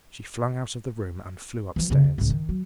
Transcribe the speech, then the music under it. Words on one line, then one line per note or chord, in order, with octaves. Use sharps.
She flung out of the room and flew upstairs.
E3 F3
C#3 A#3
D#2
C#2 A2
D#3
F#3